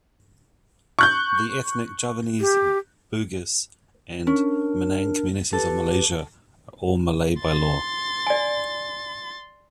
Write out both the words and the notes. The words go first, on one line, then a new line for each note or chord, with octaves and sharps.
The ethnic Javanese, Bugis and Minang communities of Malaysia are all "Malay" by law.
C#6 F#6 G6
G4
C#4 D4 A#4
G4 A4 B4
C6 A6
D5 G#5